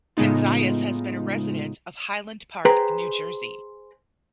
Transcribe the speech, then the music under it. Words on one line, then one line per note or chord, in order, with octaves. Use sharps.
Penzias has been a resident of Highland Park, New Jersey.
A2 C#3 G#3 B3 D#4 F4
G#4 B4 C5 G5 A#5